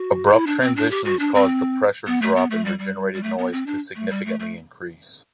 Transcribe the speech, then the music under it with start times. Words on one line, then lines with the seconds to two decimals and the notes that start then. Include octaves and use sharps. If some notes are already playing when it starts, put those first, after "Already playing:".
Abrupt transitions cause the pressure drop and regenerated noise to significantly increase.
Already playing: F#4
0.32 E4
0.47 D4
0.62 C4
0.76 D4
0.91 G4
1.05 F#4
1.19 D4
1.35 C4
2.07 B3
2.22 A3
2.36 B3
2.50 A3
2.65 G3
2.79 G3
3.14 G3
3.23 A3
3.38 B3
3.52 C4
3.66 D4
3.96 A3
4.11 G3
4.25 A3
4.40 A3